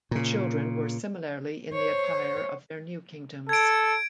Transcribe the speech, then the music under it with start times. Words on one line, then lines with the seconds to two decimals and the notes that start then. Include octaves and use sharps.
The children were similarly in the attire of their new kingdoms.
0.11 A#2 C#3
1.70 C5 C#5
3.49 A4 G#6 D7